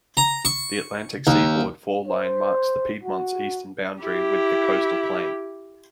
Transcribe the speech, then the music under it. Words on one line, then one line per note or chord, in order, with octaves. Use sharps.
The Atlantic Seaboard fall line marks the Piedmont's eastern boundary with the Coastal Plain.
A#5
C#6
D#2
C5
F#4
E4 G4